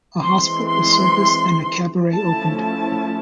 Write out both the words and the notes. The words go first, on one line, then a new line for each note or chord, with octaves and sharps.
A hospital, a circus, and a cabaret opened.
E3 G#3 C4 C6
C6
F3 A3 C#4 E4 A5
A5